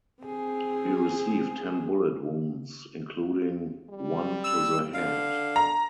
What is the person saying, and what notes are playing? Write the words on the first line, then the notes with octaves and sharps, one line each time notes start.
He received ten bullet wounds, including one to the head.
C4 G#4
G3
E6
D3 F5
A#5